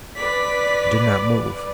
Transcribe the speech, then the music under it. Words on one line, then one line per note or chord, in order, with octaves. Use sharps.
She did not move.
B4 D5 B6